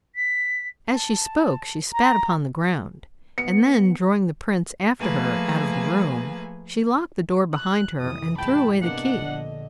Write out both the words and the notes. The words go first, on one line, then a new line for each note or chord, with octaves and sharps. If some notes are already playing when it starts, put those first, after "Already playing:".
As she spoke she spat upon the ground, and then drawing the prince after her out of the room, she locked the door behind her and threw away the key.
B6
A5
A#5
B3 C#7
F3 A3 A#3 G#4 B4 G#5
F#6
F2 C3 E3 D#6
G#2 E3 G#3 G5 A5 B5
C3 A#3 B3 D4 D#5 F#5
A#1 D3